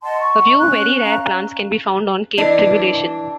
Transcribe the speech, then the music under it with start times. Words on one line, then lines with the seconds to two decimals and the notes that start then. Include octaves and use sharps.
A few very rare plants can be found on Cape Tribulation.
0.03 D#5 F#5 A5 C6
0.20 C#6
0.59 C#4 F#6
1.04 C#4 F5 A#5
2.38 E3 D4 D#5